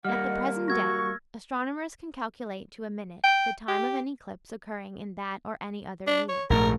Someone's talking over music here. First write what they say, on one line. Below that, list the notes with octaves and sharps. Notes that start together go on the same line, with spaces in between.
At the present day astronomers can calculate to a minute the time of an eclipse occurring in that or any other year.
G3 A#3 D#5 F#5 F6
F#4 C#6 E6 G#6 A#6
G5
G4
D4
C#5
A#1 G#2 A3 A#4